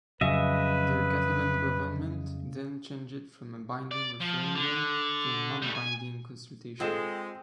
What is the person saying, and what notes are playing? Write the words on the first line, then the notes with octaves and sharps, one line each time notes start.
The Catalan government then changed it from a binding referendum to a non-binding "consultation".
F2 C#3 F#3 B4 D#5 E5
D5
F3
D3
G3 A3
G#5
G#3 C4 F4 A4 E7